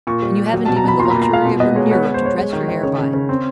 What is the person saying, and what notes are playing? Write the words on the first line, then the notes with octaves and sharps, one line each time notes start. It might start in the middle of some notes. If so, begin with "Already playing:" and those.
"And you haven't even the luxury of a mirror to dress your hair by!"
A#2 C#6
G3
G3
F#3
B2 A5
A#5
B2 B5
A#2 C6
A#5
A#2 B5
A#5
A#2 F5
B2
B3 D#5
G#3 C#5
B3 C#5
G#3
C5
B3 C#5
G#3
D#3
D#3
C#3 C#5
C#3
C#3
C4